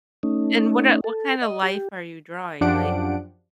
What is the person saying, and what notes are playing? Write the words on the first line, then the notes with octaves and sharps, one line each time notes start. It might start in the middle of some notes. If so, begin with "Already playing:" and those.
And what, uh what kind of life are you drawing? Like,
A3 C#4 D#4
A4
D#5
G4
F#2 F3 D4 G4 F#5 D7